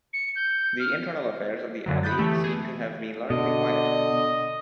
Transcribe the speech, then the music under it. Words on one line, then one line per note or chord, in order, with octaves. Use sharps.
The internal affairs of the abbey seem to have been largely quiet.
C#7
G6
F6
F#2 D3 F#3
B5 D#6 F#6 G6 A6
E3 A3 G4
G#4
B2 D3 D#5